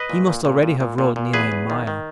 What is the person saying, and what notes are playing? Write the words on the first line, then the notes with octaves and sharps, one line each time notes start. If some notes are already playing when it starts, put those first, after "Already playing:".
He must already have rowed nearly a mile.
Already playing: B4 D#5
A#2
A#2
A#2
A#2
A#2
A#2
A#2
E2 G#4 B4
E2
D#3
D#3